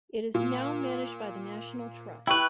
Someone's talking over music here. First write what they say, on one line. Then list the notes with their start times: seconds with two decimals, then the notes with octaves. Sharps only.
It is now managed by the National Trust.
0.34 A#2
2.27 E4 B4 G5 C#6 F#6